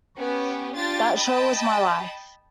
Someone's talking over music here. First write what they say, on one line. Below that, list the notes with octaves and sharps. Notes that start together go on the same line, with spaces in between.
That show was my life.
B3 C#4 G4
D4 F4 G4 A6
D#5 G5 A5 B5